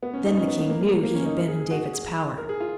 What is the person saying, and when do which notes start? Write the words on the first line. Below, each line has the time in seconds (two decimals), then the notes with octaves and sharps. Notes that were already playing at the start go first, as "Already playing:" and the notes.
Then the king knew he had been in David's power.
0.03 B3
0.13 C#4
0.25 D#4
0.36 C#4
0.47 B3
0.58 A#3
0.70 A#3
0.81 A#3
1.03 A#3
1.15 C#4
1.25 D#4
1.37 A#4
1.48 G#4
1.60 G#4
1.71 F#4
1.93 G#4
2.38 A#4
2.49 G#4
2.60 F4